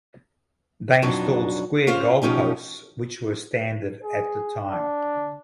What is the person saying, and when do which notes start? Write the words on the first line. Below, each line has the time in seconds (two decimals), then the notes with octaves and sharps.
They installed square goalposts which were standard at the time.
1.02 F2 B2 F#3 D4 D#4
1.87 C#4 F4 C5 F5
2.22 B2 F3 C#4 D#4 G4
4.04 G#4
4.70 D4